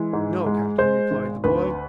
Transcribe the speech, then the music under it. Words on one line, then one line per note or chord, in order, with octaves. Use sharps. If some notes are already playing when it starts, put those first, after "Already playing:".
"No, captain," replied the boy.
Already playing: E3 G#3
G#2
G#3
G#3 C5
G#1
D2 B4